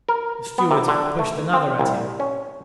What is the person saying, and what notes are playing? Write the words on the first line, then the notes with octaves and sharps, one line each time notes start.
The stewards pushed another at him.
A#4
B3
C3
D3
A3
C4
C2
C#4